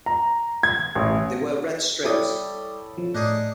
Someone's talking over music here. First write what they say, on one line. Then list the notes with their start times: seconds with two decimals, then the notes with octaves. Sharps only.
They wear red strips.
0.06 A#5
0.63 G#6
0.95 A1
2.04 G3 E4 A4 C#5 D#6
2.97 F3
3.15 A2 D4 D#4 G#4